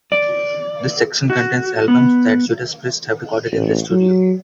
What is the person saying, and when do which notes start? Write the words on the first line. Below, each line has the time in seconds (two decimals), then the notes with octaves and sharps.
This section contains albums that Judas Priest have recorded in the studio.
0.12 D5
1.30 F#4
1.88 B3
3.52 A1
3.91 F#3